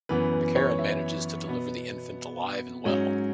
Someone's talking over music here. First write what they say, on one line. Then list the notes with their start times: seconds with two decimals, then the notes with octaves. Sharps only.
McCarron manages to deliver the infant alive and well.
0.09 F#2 E3 B3 B4
0.33 B4
0.56 C#5
0.79 E5
1.47 B2 B3
2.85 G#2 F#3 C#4